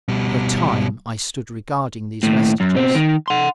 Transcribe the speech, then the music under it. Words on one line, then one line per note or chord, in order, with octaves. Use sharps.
For a time I stood regarding these vestiges. . . .
B2 G3
D#2 A2
F#2
B2 C4
D#3
F#5 C6